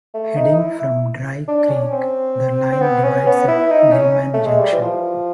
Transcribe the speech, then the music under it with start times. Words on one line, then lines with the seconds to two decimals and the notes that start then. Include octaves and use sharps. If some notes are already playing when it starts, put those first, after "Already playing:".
Heading from Dry Creek, the line divides at Gillman Junction.
0.15 A3
0.37 D#4
0.55 D#4
0.59 E4
1.48 D4
1.64 D4
1.69 C#4
1.92 C4
2.72 C4
2.81 B3
3.04 C#4
3.27 B3
3.48 E4
3.71 D#4
3.93 C#4
4.34 A3
4.47 G#3
4.60 G3
4.73 E3
4.82 F3